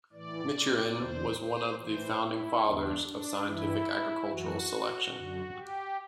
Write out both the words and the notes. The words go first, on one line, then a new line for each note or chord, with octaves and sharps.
Michurin was one of the founding fathers of scientific agricultural selection.
A2 E3 D5
E2 D3 C5
C5
A2 E3 C5
E4
E2 D3 D4
D4
G2 E3 E4
F#2 E3 F#4
F#2 D3
G4